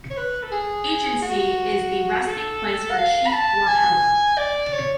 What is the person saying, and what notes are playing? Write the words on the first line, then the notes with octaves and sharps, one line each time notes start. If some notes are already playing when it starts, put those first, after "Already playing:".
Agency is the resting place for Chief Wapello.
C#5
B4
A4
G#4
F#4
A4
F#5
F5
B5
A5
G#5
D5
C#5